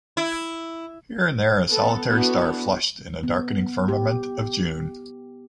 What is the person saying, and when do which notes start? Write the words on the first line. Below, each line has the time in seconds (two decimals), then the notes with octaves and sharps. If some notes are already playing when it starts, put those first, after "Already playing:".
Here and there, a solitary star flushed in the darkening firmament of June.
0.17 E4
1.70 B3 A4
2.10 D3 E3 B3 F#4
3.23 B3
3.88 G4